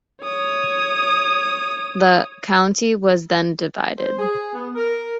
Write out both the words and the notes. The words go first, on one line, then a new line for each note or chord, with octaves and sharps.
The county was then divided.
C#5 D#6
C5
G#4
B3
A#4